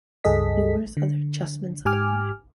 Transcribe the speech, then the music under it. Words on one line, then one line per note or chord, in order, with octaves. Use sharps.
Numerous other adjustments apply.
C#2 G2 G#4 A4 D#5 B6
D3
G#2 G4 G#5 D6 F6